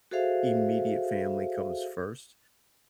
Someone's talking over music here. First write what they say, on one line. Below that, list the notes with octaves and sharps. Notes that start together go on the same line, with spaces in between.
immediate family comes first.
F#4 G#4 A4 C5 E5 F5